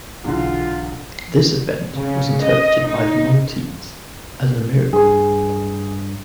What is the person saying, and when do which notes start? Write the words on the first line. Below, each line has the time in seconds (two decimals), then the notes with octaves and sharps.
This event was interpreted by the Maltese as a miracle.
0.24 B1 E2 D3 F4
1.95 C#3
2.44 D#5
2.85 D#4
4.93 G2 G#4